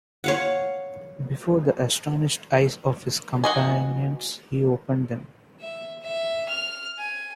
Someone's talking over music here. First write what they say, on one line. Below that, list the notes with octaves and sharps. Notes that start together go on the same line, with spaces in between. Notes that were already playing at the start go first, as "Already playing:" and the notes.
Before the astonished eyes of his companions he opened them.
C#5 F5 F#5
F#4 D#5 G#5
E5
E5
F6
G#5